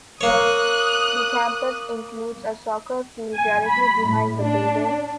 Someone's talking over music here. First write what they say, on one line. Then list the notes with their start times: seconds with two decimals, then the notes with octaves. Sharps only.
The campus includes a soccer field directly behind the building.
0.21 A#3 C#5 D#6 F#6
3.32 G#5
3.65 B5
4.04 A2
4.40 D4